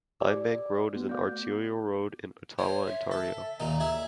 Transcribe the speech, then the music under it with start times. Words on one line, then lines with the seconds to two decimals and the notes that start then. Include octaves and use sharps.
Limebank Road is an Arterial road in Ottawa, Ontario.
0.20 G4 C5 D5 G#5 D6
0.94 A3 B3 F#4
1.09 A3 D5 D6 G6
2.59 C5 C#5
2.87 E5
3.11 A4
3.60 D#2 A#2 D#4 A#5
3.80 E4 G#4 E5